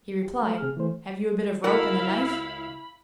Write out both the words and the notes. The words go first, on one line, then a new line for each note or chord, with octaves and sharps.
He replied, "Have you a bit of rope and a knife?"
G4
A3
C3 G#4 F6
E3 A3 C5
C#2 E4 F#4 A#4 F5 F#5 B5